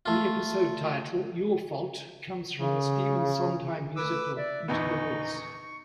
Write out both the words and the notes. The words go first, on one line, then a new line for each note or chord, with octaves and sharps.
The episode title "Your Fault" comes from the Stephen Sondheim musical, "Into the Woods".
A3 F4
C#3
A3 B4 D6 E6
D5 E5
A#1 E2 B3 D#4 C#6